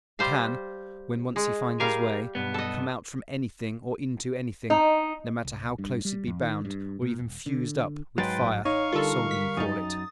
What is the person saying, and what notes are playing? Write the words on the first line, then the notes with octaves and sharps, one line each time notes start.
He can, when once he find his way, come out from anything or into anything, no matter how close it be bound or even fused up with fire--solder you call it.
G3 C5 F5
G#3
G3 G#4 A#4 F5
B1 G2 B3
A4 D#5
D#4
C2
G2
G3
F2
D#3
G2
A#2
D#1
D3
G#2 F#3 B4 G5 C6 A6
A1
D#4 C#5 F5 C#6
D3 G3 F4 A4 A#4
B6
F#2 D#4 D#6 A6